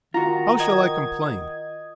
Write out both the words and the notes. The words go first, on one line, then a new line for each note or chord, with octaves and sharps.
How shall I complain?
D#3 F4 F#4 A#5
D#5 G#6